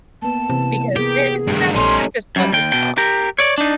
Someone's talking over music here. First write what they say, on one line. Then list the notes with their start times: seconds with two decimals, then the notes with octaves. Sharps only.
Because then it's not surface level talk.
0.22 A#3 B3 A5
0.50 C3 E3
0.96 B3 G4 G#4 A#4
1.47 G2 D#3 G3 A3 G4
1.75 A#1 C#4 D#4 A4 C#5 C6
2.36 F#2 G3
2.52 D#2 G5
2.72 B2 G5
2.98 G4 A#4
3.38 C#5 D5
3.58 D4 D#4